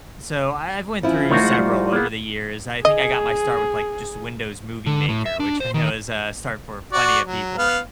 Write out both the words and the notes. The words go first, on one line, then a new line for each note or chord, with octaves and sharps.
So, I I've went through several over the years, I think I got my start with, like, just Windows Movie Maker, which I know is a start for plenty of people,
F3 C#4 E4
D#3 A3 D4 D#4 F4 F#4 C#5
G#3 F#5
G3
A#3 B3 G#4
G#4 D#5
D3
A2
E5
D4
C5
D#3
F#4 D5
F#3
B3 F5